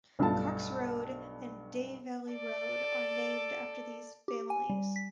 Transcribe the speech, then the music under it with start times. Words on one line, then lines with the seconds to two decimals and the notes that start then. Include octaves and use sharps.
Cox Road and Day Valley Road are named after these families.
0.19 B1 G2 A3 F4 A5
2.31 A4 D5
4.28 G4
4.50 G#5
4.70 G3
4.96 B6